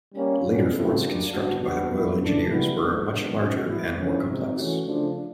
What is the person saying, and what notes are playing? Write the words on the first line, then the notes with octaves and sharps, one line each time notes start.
Later forts constructed by the royal engineers were much larger and more complex.
G3 A#3 C#4
B2 G3 A#3 C#4
C#3 F3 A3 C4 E4
G3 A#3 D4
G3 B3 D4 F#4
G3 B3 D4 F#4
A#2 G3 B3 E4
C#3 E3 A3 D4
G3 B3 E4
D3 F#3 A3
C3 D#3 G#3 B3 D4
B2 G#3 C#4 F#4
E3 G3 B3 E4
D3 F3 G#3 C#4 E4
C3 F3 G#3 C4 D#4
E3 A3 C#4 F#4
C#3 F3 A3 D4